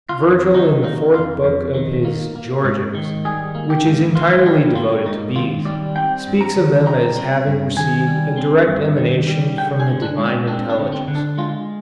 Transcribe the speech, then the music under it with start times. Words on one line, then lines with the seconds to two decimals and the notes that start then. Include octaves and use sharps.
Virgil in the fourth book of his Georgics, which is entirely devoted to bees, speaks of them as having received a direct emanation from the Divine Intelligence.
0.09 F4
0.25 F2
0.54 D#3 D#4
0.84 A#3 D#4
1.14 F2 F4
1.44 F2
1.75 D#3
2.05 A#3
2.36 A#3
2.64 G#2
2.95 D#3
3.25 G3 G#4
3.55 A#3
3.70 G4
3.85 G#2
4.15 D#3 F4
4.45 G3 D4
4.75 A#3 F4
5.06 G#2 D#4
5.36 D#3 F4
5.65 G3 D5
5.96 C4 G5
6.27 G2
6.41 A#5
6.56 D#3
6.86 G3 A#5
7.17 C4
7.46 G2
7.77 D#3 G#5
8.07 G3
8.38 C4
8.67 G2
8.98 D#3
9.27 G3
9.57 D3 G5
9.80 G#4
9.87 D3
10.02 D4
10.18 G#3
10.26 C4
10.47 C4 D4
10.70 D4
10.78 D3
10.92 C4
11.08 D3
11.15 D4
11.37 G#3 F4